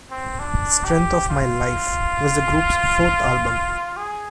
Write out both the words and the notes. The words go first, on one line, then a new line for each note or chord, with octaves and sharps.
"Strength of my Life" was the group's fourth album.
C4
D4
G4
F4
G#4